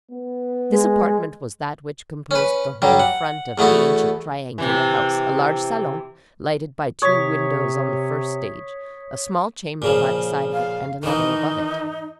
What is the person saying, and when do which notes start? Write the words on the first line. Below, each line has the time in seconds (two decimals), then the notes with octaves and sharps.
This apartment was that which composed the whole front of the ancient triangular house; a large salon, lighted by two windows on the first stage, a small chamber by the side of it, and another above it.
0.11 B3
0.70 G#3
2.31 C#4 B4
2.82 G2 F#3 G3
3.00 F#5
3.58 E2 A3 B3 E4 F#4
4.58 C3 E3
7.02 C3 C#5 D#6 B6
9.82 A#2 C#3 F3
10.52 F5
11.03 D#3 E3 D#4